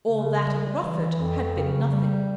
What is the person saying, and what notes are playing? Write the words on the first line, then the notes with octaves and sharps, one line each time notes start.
All that at Rufford had been nothing.
C#3
G3
E3
F2
C#3
G3